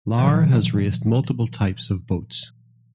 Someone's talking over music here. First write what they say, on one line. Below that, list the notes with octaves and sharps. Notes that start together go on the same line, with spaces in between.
Larr has raced multiple types of boats.
A#2 D#3 F3 F#3